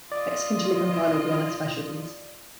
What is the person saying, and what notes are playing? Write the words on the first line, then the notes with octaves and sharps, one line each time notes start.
Mexican chili con carne will be one of the specialties.
F4 D5 D#5